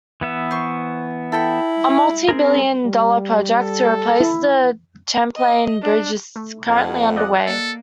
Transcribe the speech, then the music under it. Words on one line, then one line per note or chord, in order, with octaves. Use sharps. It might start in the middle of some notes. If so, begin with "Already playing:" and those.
A multibillion-dollar project to replace the Champlain Bridge is currently underway.
E3 B3 E5
C5 C#6
E4 A4 G5 B5
C4 G#4 A#4
G3
A4
E4
D#5
D4
A3
F2 F5 F#5 A5 G#6
D5 D#5 F#6
A#3 A4